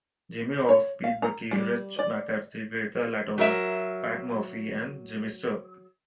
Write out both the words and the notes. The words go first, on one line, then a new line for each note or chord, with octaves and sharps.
Jimmy Howes, Pete Bucky, Rich McCarthy, Greta Latona, Pat Murphy and Jimmy Sturr.
C#5
F5
A#5
G3
D5
F#3 A#4 E5